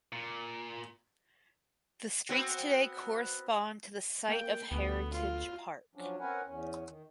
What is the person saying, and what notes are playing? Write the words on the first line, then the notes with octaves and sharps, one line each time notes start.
The streets today correspond to the site of "Heritage Park".
A#2
B3 C4 F#4
A#3 G5
D2 B3
F4
F3 F#3 C#4 D4
C4 C#4 A#4 B4 F#5 G#5
E2 C#4
D#3